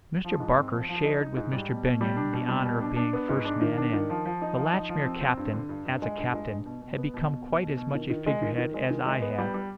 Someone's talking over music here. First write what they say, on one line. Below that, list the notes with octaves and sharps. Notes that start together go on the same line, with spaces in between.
Mr. Barker shared with Mr. Benyon the honour of being first man in. The Latchmere captain, as a captain, had become quite as much a figurehead as I had.
F3
G#2
C4
F3
F3
D#4
D#4
G#2
G3
B2
B2
G3
D4
B2
G3
B2
D4
D4
B3
G#2
D4
D#3
D4
D#3
F3
F3
D#4
F3
D#4
F3
C4
C4
G2
D3
G2
G2
G#3
G2
G#3
G2
B2
B2
B3
B2
B2
B2
B2
B2
D#3
D#3
G#3
D#3
D#3
G#3
D#3
G#3
B3
G3
G3